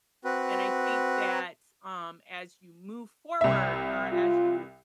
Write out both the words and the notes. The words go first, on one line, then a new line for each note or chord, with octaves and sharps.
and I think that, um, as you move forward or as you
C4 F#4 B4
C2 E5
F4